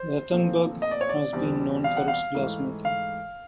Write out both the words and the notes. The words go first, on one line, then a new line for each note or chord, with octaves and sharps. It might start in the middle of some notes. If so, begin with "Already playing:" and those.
Rattenberg has been known for its glass making.
Already playing: C5
A#2 F3 A3 C4
D#5
D5
C#5
D5
E2 B2 G3 C4
F5
F#5
F5
G#2 E3 A3
F5